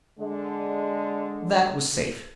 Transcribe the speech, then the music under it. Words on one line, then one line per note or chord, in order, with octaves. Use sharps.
That was safe.
D3 G#3